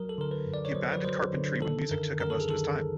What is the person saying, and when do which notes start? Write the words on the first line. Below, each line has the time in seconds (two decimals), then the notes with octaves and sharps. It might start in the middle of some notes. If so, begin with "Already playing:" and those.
He abandoned carpentry when music took up most of his time.
Already playing: F#3 A#4
0.09 A4
0.18 D3 A#4
0.31 B4
0.46 F#2
0.54 D5
0.65 C#5
0.75 F#3 C5
0.93 B4
1.04 F#3 C5
1.33 D3
1.62 D#3 A4
1.91 F#2 A#4
2.20 F#2 A#4
2.30 A4
2.40 G#4
2.49 D#3 A4